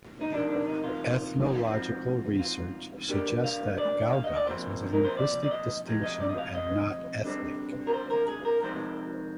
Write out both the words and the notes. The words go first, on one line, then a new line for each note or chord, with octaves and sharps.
Ethnological research suggest that "Gagauz" was a linguistic distinction and not ethnic.
D#4
F2 C3 D#3 D4
D4
D#4
F4
G#2 F3 C4
F4
D3 G3 A#3 G4
F5
D5
F5
D#5
D5
A#2 F3 C4 C5
A#4
C5
D5
D5
D#5
F2 C3 F3 G#3 C4
D#5
D5
D#5
F5
D#5
D3 G3 C4
A#4
C5
A#4
G#4
A#4
F2 C3 D#3 G#3 C4 C5